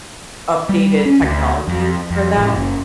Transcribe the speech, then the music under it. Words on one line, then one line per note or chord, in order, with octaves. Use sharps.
updated technology for that.
G3
C#4
D2
F2
F2
A1
F#1